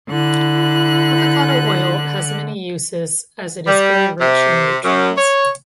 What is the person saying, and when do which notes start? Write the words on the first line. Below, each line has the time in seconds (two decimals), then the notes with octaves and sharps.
Avocado oil has many uses as it is very rich in nutrients.
0.11 D3 E4 F#6
3.67 G3
4.20 C3
4.85 F#2
5.17 C#5